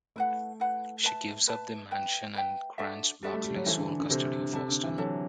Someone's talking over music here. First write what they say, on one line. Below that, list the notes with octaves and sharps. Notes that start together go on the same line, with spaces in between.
She gives up the mansion and grants Barclay sole custody of Austin.
A3 E4 B4 F#5
E4 B4 F#5
B4 E5 A5
B4 E5 A5
B4 E5 G5
B4 E5 G5
D4 F#4 A4 E5
G3 D4 F#4 A4 E5
A3
G3
F#3
E3 F#4 A4 C5
D3
D3
D3
C3 F#4 A4 C5
D3
C3 A4 E5 A5
D3
E3
F#3 A4 E5 A5